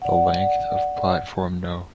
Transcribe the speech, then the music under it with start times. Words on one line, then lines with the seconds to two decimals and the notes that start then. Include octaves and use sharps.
The length of Platform no.
0.02 D5 F#5